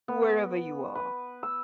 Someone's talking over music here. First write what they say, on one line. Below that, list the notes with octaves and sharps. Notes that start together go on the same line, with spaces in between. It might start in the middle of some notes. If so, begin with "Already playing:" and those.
Wherever you are!
B3
B4
E6